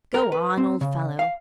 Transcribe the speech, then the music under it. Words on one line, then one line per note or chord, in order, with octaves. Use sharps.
"Go on, old fellow."
A#4
B4
C4
C#3
F5